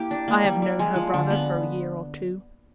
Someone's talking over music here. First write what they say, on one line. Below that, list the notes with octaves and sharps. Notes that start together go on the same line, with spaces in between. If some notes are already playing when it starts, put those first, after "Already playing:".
I have known her brother for a year or two.
Already playing: A#3 E4 G4
D4
A#3
G3
G3
G#3
F3
D3
B3